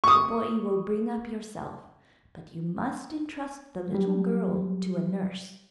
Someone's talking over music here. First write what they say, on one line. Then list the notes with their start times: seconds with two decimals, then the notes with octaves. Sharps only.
The boy you will bring up yourself, but you must entrust the little girl to a nurse.
0.04 C#6 D#6
3.92 F#3 G3